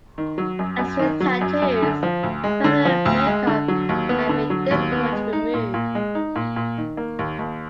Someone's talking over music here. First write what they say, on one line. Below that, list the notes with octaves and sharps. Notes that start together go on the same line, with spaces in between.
As with tattoos, permanent makeup can be difficult to remove.
D#3
F#3
F#2
F#2
D#3
F#3
F#2
F#2
D3
F3
D2
G#3
D3
F3
D2
G#3
D3
F#3
D#2
B3
D3
F#3
D#2
B3
G#3
D#4
A#2
A#2
G#3
D#4
A#2
A#2
D#3
A#3
D#2
D#2